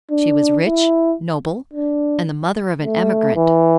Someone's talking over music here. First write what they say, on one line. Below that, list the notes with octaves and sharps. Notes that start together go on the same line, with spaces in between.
She was rich, noble, and the mother of an Emigrant.
D4
E4
D4
A3
E3